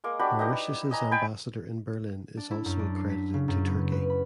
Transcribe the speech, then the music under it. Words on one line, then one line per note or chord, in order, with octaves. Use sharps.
Mauritius’s ambassador in Berlin is also accredited to Turkey.
G#3 A#3
D4 F#4 G4 B5
D#4 E4 G4 B4
D#5 G#5 A#5
G5 G#5 B5
D4
E4
F#2
D4
C7
B6
C#3
F#2
B3
B4
B5